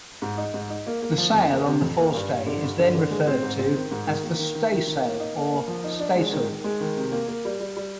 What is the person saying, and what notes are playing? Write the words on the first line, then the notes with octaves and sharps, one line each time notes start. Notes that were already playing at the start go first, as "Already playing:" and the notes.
The sail on the forestay is then referred to as the staysail or stays'l.
G#2
D#4
G#2
D#4
A#3
A#3
F3
F2
A#3
C3
F2
A#3
G2
G2
D3
G2
D3
D3
G#3
C4
G#2
C4
D#3
G#2
D#3
A#3
D#3
D#3
D#3
D#3
A#3
D#4
A#3
A#3
F3
D#4
D4
G#3
D#3
D#3
G#3
D#3
C3
A#3
A#3
G3
G3
G3